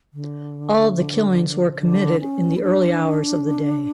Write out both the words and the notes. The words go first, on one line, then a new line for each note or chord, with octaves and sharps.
All of the killings were committed in the early hours of the day.
D3
C#3
D3
C#4
E4
D4